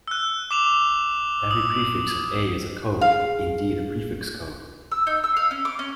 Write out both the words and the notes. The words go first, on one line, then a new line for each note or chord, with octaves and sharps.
Every prefix in "A" is a code, indeed a prefix code.
E6 F#6
D6 E7 F7
D#6
G#4 F5
E6
D#4
E6
F5
C#4
D6
C#4